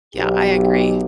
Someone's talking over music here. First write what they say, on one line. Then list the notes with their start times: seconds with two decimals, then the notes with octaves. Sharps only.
Yeah, I agree.
0.15 B1 G4